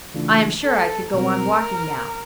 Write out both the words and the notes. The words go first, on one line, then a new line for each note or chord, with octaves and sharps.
I am sure I could go on walking now.
C#3 E3 A3 D4 F4
A4
B2 G3 C4 A#4